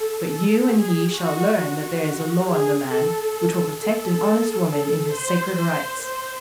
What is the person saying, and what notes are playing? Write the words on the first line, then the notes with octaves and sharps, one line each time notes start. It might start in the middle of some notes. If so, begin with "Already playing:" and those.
But you and he shall learn that there is a law in the land which will protect an honest woman in her sacred rights.
Already playing: A4
A4
G#4
F#4
F#4
G#4
A4
A4
A4
C5
C5
C5